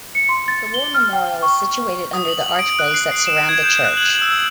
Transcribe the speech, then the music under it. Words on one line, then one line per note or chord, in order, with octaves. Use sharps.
The war memorial is situated under the archways that surround the church.
C#7
C6
A6
G7
F6
G5
C#6
D#6
F#7
D7
F#6
C7
C7
E7
G#6
G6
F#6
F#7
E6